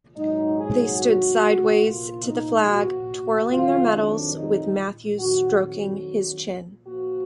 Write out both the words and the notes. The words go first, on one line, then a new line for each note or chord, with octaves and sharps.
They stood sideways to the flag, twirling their medals, with Matthews stroking his chin.
G#2 F#3 D#4
G#4
F#4
A#2 F3 F4
D#4
F#4
F2 D#3 F#3 F4
D4
D#4
F2 D#3 F#3 F#4
F#4
A#2 F3 F#4